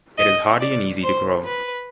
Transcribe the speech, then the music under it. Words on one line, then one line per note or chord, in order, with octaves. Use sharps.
It is hardy and easy to grow.
D#5
D5
C5
B4